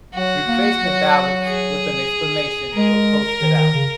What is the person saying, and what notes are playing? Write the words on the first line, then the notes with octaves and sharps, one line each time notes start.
Replacement ballots with an explanation were posted out.
F#3 F#4
A#3
F#3
G#4
G#3 A#4
D#3
D#3
C#3